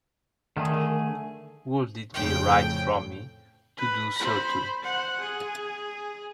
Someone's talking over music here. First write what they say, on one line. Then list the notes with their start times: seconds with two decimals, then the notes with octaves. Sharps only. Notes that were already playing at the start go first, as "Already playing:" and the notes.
Would it be right for me to do so too?
0.57 D3 D#3 A3 G#4
2.14 F2 A2 C#3 G5
3.78 B4
4.15 C5 B5
4.82 C5 F#5
5.20 G#4